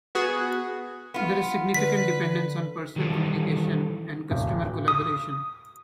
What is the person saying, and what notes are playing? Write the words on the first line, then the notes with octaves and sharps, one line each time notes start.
There is significant dependence on personal communication and customer collaboration.
B3 F#4 G#4
B3 F4
D3 B4 B6
D#3 E3 G3 A4
D1
D#6